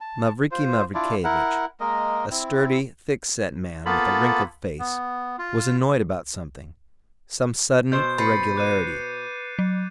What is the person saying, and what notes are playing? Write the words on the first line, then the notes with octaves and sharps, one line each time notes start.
Mavriky Mavrikyevitch, a sturdy, thick-set man with a wrinkled face, was annoyed about something, some sudden irregularity.
A5
F4 C5
D4 E4 F4 D5
E4 A#4 F#5
G#3 A#3 A#4 D#5
C4 E4
A#3 B3 F4 A4 B5
B3
F4
B2 C5 G6
B4 A6 C7 C#7
D6 F#6 D#7
F#3